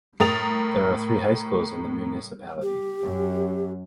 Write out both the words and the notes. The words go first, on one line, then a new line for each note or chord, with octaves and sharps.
There are three high schools in the municipality.
A2 A#4 D#6 A6 F7
G4
F#2